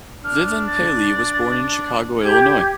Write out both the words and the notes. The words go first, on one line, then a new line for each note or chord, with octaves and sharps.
Vivan Paley was born in Chicago, Illinois.
D4 F6
A6
G4 G#6